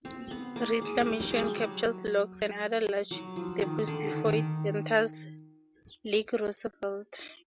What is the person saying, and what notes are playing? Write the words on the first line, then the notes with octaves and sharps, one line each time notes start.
Reclamation captures logs and other large debris before it enters Lake Roosevelt.
C4
B3
A#3
G#3
G3
F#3
G#3
G3
F#3
F#3
F3
D#3
D3
D#3
D#3